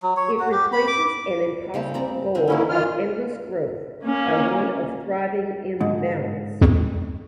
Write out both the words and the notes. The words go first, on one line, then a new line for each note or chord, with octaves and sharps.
It replaces an impossible goal of endless growth by one of thriving in balance.
F#3
C#5
F#4
G4
B5
D6
C#3 G3 C4
C4 D5 A#5
D3 G#3 C4
D3 E3 A#3 C#4 D#4 E4
F#2 F4 F6
A#3 C#4
G#2 D3